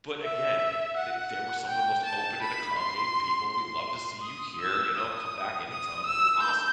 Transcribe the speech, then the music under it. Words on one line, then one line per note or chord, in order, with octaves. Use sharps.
but, again, th they were some of the most open and accommodating people, "We'd love to see you here," you know? "Come back anytime," like, "Awesome."
E5
F#5
G5
A5
B5
C6
C6
D#6
E6
D#6
D#6
E6
G6